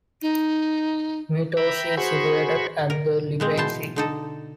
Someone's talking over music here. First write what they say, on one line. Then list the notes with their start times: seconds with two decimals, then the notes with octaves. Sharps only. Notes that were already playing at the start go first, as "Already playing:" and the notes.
Myrtos is situated at the Libyan Sea.
0.22 D#4
1.57 E5 G5 A#5 B5
1.97 F#4 G#4 C5 B5 C#6
2.90 A#4
3.40 A#2 G#3 C4
3.57 B2 E3 C5 A5
3.96 D3 D#4 A4